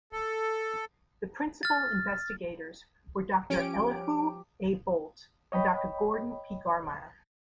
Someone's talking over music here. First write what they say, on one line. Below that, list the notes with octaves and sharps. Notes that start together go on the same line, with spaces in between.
The Principal Investigators were Doctor Elihu A. Boldt and Doctor Gordon P. Garmire.
A4
F6 A6
F3 C#4 G4 D7
G4
C#5 D#5 G5 B5